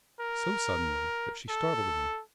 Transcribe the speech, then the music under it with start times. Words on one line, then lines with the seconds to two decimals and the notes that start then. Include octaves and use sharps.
So suddenly that she startled me.
0.20 A#4
1.49 A4